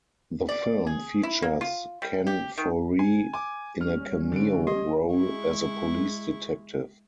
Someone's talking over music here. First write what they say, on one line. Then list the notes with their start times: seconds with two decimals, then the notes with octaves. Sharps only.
The film features Ken Foree in a cameo role as a police detective.
0.49 D5
0.87 G#4
1.23 E4
1.42 A#3
1.61 F4
2.02 G3
2.27 G4
2.58 D#3
2.99 G#5
3.34 G#5 D6
3.81 G3 C#4 F6
4.32 D3 D7
4.67 G4 D#5
5.15 G#3 E4 C#6